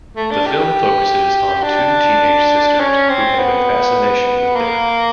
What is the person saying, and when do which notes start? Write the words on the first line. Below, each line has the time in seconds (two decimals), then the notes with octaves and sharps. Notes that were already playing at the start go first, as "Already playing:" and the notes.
The film focuses on two teenage sisters who have a fascination with death.
0.16 A3
0.31 D4
0.46 G4
1.63 D4
2.80 C#4
3.09 C4
3.39 B3
4.56 A#3